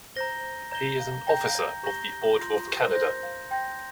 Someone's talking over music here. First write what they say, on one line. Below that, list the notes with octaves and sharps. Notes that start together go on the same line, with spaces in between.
He is an Officer of the Order of Canada.
C5 A#5 G6 A#6 G7
D5 A#5 G6 A#6 G7
F5
G5 A#5 G6 A#6 G7
F5
D5
G4 A#5 G6 A#6 G7
F4 C6 G6 A#6
F4
G4
A#4
C5 C6 G6 A#6
F5
G5 C6 G6 A#6